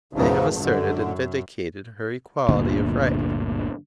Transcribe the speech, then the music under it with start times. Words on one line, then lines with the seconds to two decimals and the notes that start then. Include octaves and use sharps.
They have asserted and vindicated her equality of right.
0.13 G#1 E2 G#2 C#3
0.58 F#2 D3
2.49 G1 D2 A#2 D3